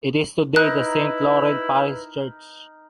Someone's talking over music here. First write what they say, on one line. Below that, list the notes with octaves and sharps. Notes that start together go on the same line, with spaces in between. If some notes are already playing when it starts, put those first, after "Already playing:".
It is today the Saint-Laurent Parish Church.
D#4 E4 A#4 B4 F#6